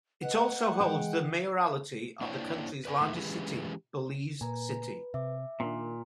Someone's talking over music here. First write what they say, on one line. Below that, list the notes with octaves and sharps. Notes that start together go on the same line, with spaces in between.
It also holds the mayoralty of the country's largest city, Belize City.
B4 D#5 F#5
E3 G#3 G5
A#3 D4 E4 C5 C#5 G5
B4 D5 G#5
E2 A#2 A3 D#4 E4
E3 G#3 C#4 G4 G#4 B4
A#2 B4 G#5 A#5
C3 E5 D6
A#2 D#3 C4 D4